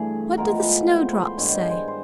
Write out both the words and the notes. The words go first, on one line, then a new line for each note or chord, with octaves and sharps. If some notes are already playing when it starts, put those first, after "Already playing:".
What did the Snowdrops say?
Already playing: G2 E3 A3 G#4
A2 F3 G#3 B3 A#4
B4
C5
C5
B4
C5
G2 D#3 G#3 C#5
C5
C5
C5